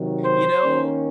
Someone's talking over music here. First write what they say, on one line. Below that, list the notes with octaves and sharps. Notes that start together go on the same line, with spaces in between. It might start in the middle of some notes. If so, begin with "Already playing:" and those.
You know
Already playing: C3 D#3 F#3
C5
D#3 A#3 C#4